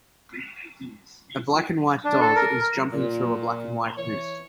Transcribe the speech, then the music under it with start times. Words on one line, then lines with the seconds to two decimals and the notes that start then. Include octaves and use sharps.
A black and white dog is jumping through a black and white hoop.
2.04 D4
2.20 A4
2.36 A#4
2.93 A#2
3.98 E3 C#5